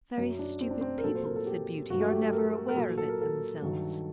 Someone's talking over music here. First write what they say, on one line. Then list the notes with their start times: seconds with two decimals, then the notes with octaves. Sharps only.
"Very stupid people," said Beauty, "are never aware of it themselves."
0.17 F#2 F#3
0.39 D4
0.61 C4
0.71 D4
0.81 C4
0.98 A#4
1.04 A#2 F#3 A4
1.15 C5
1.26 A#4
1.36 A4
1.47 G4
1.90 G2 F#3 F#4
2.00 A3
2.11 G4
2.22 A4
2.33 A#4
2.54 A4
2.68 A#4
2.76 A#2 F#3 A4
2.98 A4
3.09 A#4
3.21 A4
3.62 G2 D#3 F#3